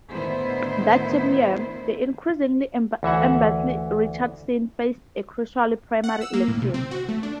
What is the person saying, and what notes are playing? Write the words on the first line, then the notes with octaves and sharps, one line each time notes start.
That same year, the increasingly embattled Richardson faced a crucial primary election.
A2 D3 D#3 B3 E4 C5
D2 E3 E5 F#5
F#5
E6
A#3
A2
C3
C4
F#4
A3
D4